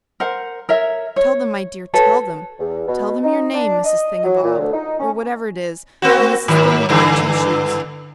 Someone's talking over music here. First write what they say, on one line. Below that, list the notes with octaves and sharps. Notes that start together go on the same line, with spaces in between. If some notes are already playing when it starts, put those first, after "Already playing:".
Tell them, my dear, tell them; tell them your name, Mrs. Thingabob, or whatever it is, Mrs. Thingabob Twoshoes.'
A#4 C5 F#5
A#4 C#5 E5
C#5
F#4 A4 B4 C#5
E2
B2
D#4
D4
D#5
F#3
A#2
D2
D#4
C#4
A#3 C4 F#4
G#2 D#3 F#3
G2 D3 E3